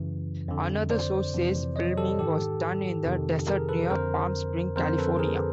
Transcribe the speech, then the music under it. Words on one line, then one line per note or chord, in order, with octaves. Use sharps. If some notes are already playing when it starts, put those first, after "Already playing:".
Another source says filming was done in the desert near Palm Springs, California.
Already playing: F#2 C#3 E3
F2 D3
C5 D5
F2 C3 E3
C#5 D#5
G4 A4
G#2 D#3 G4 A4
F2 C3 D#3
G#4 A#4
A4 B4
F2 D3 A#4 C5
F2 D3 A#4 C5
A4 B4
G#4 A#4